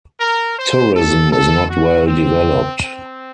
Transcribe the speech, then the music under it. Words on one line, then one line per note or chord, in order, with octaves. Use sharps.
Tourism is not well developed.
A#4
C5
A4
A4
F#4
C4
C4